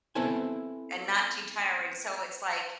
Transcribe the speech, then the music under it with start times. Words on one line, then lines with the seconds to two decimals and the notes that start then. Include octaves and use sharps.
and not too tiring. So It's, like,
0.15 B3 C4 E4 A4 C5 G#5